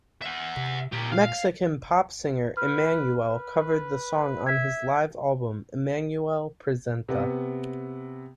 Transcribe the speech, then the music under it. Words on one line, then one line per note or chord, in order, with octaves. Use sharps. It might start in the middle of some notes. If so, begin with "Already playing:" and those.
Mexican pop singer, Emmanuel covered the song on his live album, "Emmanuel Presenta..."
E5 F#5
C3
A#2 G4 A#4
F5
B4 F6
B4
E5 G#6 B6
C3 B3